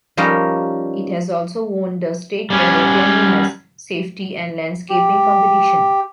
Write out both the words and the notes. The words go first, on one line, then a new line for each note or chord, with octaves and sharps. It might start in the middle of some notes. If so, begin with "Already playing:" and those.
It has also won the state level cleanliness, safety and landscaping competition.
F3 G3 C#4 D#4 A#4 D#5
G3 C#4
G4